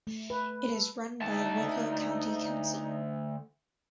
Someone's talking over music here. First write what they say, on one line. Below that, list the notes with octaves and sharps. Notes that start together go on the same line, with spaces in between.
It is run by Wicklow County Council.
A3
B4
A4
D2 D#4 A5